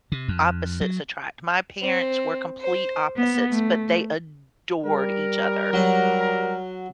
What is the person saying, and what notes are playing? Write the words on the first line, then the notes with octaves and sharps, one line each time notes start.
opposites attract. My parents were complete opposites, but they adored each other.
C3
F2
F#3
C4
C5
B3
A3
G3 A#4
F#3 F#5